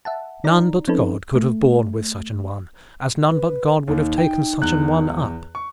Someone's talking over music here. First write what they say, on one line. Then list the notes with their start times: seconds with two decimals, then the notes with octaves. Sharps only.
None but God could have borne with such an one, as none but God would have taken such an one up.
0.05 E5 F#5 A5
0.44 D#4 D5 A#5
0.88 F3 C4 C#4 D#4 A4 B4
1.35 A3
3.30 B4
3.88 D#2 D#4
4.18 G5
4.61 E2 F#6
5.55 C#6